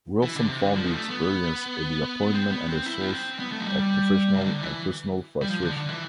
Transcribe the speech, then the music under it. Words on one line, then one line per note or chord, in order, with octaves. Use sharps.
Wilson found the experience a disappointment and a source of professional and personal frustration.
E3
D3
C3
D3
F3
B3
A3
B3
C4
B3
C4
E4
B3
C4
B3
A3
F3
G3
G3
C3
D3
E3
G3
F3
D3
D3
E3